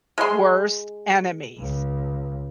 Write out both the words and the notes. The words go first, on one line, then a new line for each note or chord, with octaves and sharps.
worst enemies
G#3 C6
C#2